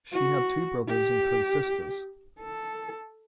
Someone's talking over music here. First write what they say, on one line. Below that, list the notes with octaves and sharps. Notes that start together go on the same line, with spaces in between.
She had two brothers and three sisters.
F#4
G4
A4